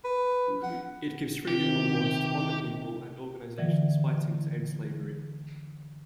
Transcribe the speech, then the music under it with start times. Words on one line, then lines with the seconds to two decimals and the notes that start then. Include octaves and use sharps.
It gives Freedom Awards to honour people and organisations fighting to end slavery.
0.04 B4
0.63 F#5
1.48 C3 D#3 G4
3.58 D3 E3 F#3